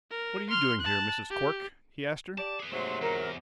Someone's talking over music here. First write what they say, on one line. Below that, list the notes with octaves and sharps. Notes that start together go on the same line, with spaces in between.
"What are you doing here, Mrs. Cork?" he asked her.
A#4
C6 F6
A5 F#6
G4
G4 D5 A5
G#4 B4
G#2 C3 F#3 A3 A#3 C6
E2 A#4